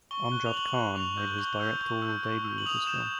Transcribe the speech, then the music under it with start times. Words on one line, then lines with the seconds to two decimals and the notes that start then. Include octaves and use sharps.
Amjad Khan made his directorial debut with this film.
0.11 C#6 G7
0.26 G7
0.32 F#6
0.46 F7
0.53 C#6 F#7
0.74 F#6
0.96 C#6 F7
1.17 E6 G6
1.38 C#6 G7
1.59 E6 G6
1.81 C#6
2.02 E6 G6
2.23 C#6
2.45 E6 G6
2.58 F#7
2.66 D#6 F7
2.87 G6 E7